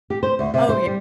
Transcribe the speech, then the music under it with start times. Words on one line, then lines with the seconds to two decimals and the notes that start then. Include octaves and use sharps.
Oh ye
0.10 G4
0.23 C5
0.39 D2
0.54 C3
0.69 C5
0.87 G3